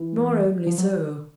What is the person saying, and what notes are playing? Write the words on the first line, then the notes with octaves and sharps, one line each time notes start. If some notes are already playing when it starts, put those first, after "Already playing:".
Nor only so.
Already playing: E3
F3
F#3